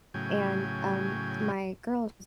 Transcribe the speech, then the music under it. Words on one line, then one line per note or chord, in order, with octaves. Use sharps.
and, um, my girl
A2 C#3 F#3 G5 G#5